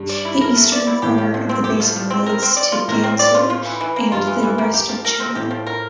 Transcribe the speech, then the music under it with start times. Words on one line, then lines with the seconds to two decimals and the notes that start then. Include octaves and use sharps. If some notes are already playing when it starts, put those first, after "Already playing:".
The eastern corner of the basin leads to Gansu and the rest of China.
Already playing: G2
0.09 D5
0.25 E4
0.41 A#4
0.56 A3
0.72 D5
0.87 E4
1.02 A2 G4
1.18 F3
1.34 F3
1.49 C4
1.64 G4
1.80 F3
1.96 F3
2.10 C4
2.26 A#4
2.42 C4
2.57 D5
2.72 F4
2.88 A2 A#4
3.04 C4
3.19 D5
3.34 F4
3.50 F4
3.66 E3
3.81 E3
3.96 A#3
4.12 G2 F4
4.27 E3
4.43 E3
4.58 A#3
4.74 G4
4.89 F3
5.05 A#4
5.20 C4
5.35 A2 G4
5.51 F3
5.67 A#4